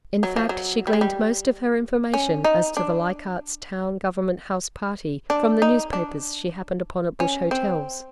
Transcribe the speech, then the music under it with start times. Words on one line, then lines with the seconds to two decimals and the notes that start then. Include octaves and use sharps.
In fact, she gleaned most of her information as to the Leichardt's Town Government House Party from the newspapers she happened upon at bush hotels.
0.23 F#3
0.36 F3
0.49 F#3
0.87 G3
0.93 G#3
1.01 G3
2.14 C#4
2.44 D#4
2.77 D4
5.30 D4
5.62 D#4
5.93 D4
7.20 C#4
7.51 C4